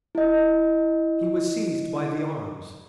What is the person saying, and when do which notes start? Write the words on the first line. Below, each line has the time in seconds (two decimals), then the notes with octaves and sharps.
He was seized by the arms.
0.15 E4 D#5